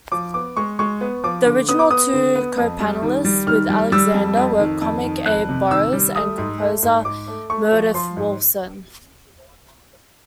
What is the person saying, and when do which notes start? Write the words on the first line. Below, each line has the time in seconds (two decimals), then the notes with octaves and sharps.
The original two co-panelists with Alexander were comic Abe Burrows and composer Meredith Willson.
0.12 F3 D6
0.34 B3 D6
0.57 G#3 C#6
0.79 G#3 C#6
1.01 B3
1.24 F3 D6
1.46 D3
1.68 B3 D#6
1.79 D6
1.91 B3 D#6
2.13 D3
2.35 B3
2.58 F2
2.80 G3
3.02 D#3
3.25 G3
3.47 D#3 F6
3.69 G3
3.92 G3 E6
4.14 F2
4.37 F2
4.60 D#3
4.82 F2
5.04 D#3
5.26 F2 F#6
5.49 C3
5.71 D#3 E6
5.93 G3
6.15 A3 D#6
6.38 G#2
6.60 A3
6.83 G#2
7.05 G#2 D6
7.28 A3
7.50 A3 C#6
7.72 F3
7.94 F3 C6
8.17 G#2